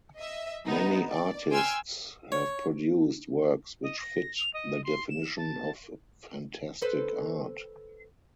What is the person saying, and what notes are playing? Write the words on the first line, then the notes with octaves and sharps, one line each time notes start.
Many artists have produced works which fit the definition of fantastic art.
D#5 E5
B3 D#4
D5
G5 G#5 C6 E6 F6 G#6
C#5
D#5
A#6
F7
D#5
C6
E7
A5
A4 B4 C5